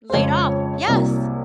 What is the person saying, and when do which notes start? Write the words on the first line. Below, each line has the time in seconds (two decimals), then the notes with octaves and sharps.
Laid off. Yes.
0.10 C5
0.13 F2 C#3 F3 G#3 C#5
0.87 C2 C3 F#3 A#3